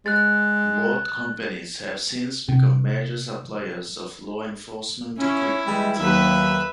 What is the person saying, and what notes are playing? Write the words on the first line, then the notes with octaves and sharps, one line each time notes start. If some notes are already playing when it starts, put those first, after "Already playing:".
Both companies have since become major suppliers of law enforcement equipment.
G#3 F#6 A6
C3
C#4 E4
E3 G3 G#3
D#2 F#3 B4 E5